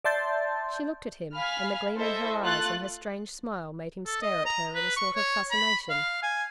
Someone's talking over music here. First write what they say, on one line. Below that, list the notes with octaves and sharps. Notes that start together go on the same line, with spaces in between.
She looked at him and the gleam in her eyes and her strange smile made him stare at her in a sort of fascination.
D5 E5 A5 C6 G6 A6
F5 G#5 B5 F6
E4 A4 C5 D#5 E5
A3 F4 F#6 A6
A4
D#5
A#5
B4
C#6
C#5
B5
F5
G#5